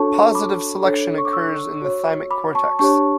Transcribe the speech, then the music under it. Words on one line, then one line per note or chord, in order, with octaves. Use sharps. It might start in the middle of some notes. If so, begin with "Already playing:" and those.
Positive selection occurs in the thymic cortex.
Already playing: D4 F#4 A4 C#5 A5 C#6
B5 D6
D4 A4 C#5
C#6
D6
C#6 E6
F#4 C#5
B5 D6
A5 C#6
D4 G4 C#5 A5 C#6